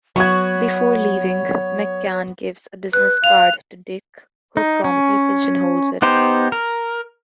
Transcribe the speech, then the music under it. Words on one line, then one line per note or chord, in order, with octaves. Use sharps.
Before leaving, McCann gives a business card to Dick, who promptly pigeonholes it.
F#3 B3 F#4 C#5 C#6 G#6
B4 F#6
F5 F7
D#4
C#4
B3 D#4 G4 C5
A#4